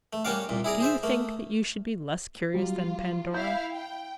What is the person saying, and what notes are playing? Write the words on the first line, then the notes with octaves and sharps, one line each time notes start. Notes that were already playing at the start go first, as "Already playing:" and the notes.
Do you think that you should be less curious than Pandora?
A3
G3 A#3 C#4 F#4 D5 F5
C2 A#2
E4 G#4 D5 A#5
G#4 C5 E5
A3 A#3
F#3 G3 F4
E4 E5 F5 G6
G5